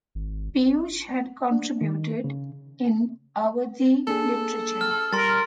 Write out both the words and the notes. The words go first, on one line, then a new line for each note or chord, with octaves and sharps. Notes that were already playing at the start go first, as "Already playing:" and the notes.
Piyush had contributed in Awadhi literature.
G#1
D4
D#3
C#3
A#3 D4 G#4 A4
F6
G3 A#4 C6 A6